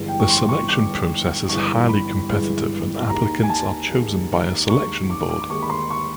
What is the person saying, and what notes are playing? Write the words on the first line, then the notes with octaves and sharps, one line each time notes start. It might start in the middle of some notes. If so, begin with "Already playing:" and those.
The selection process is highly competitive, and applicants are chosen by a selection board.
Already playing: G1 G2 E3 G#3
G5
C#6
C6
C#6
G1 G2 E3 G#3 D6
G1 G2 E3 G#3 C#6
B5
G1 G2 E3 G#3
D#2 D#3 G#3 A#5
G#5
A5
D#2 D#3 G#3
D#2 D#3 G#3 C#6
D6
D6
D#2 D#3 G#3 C#6
B5
C6
C#6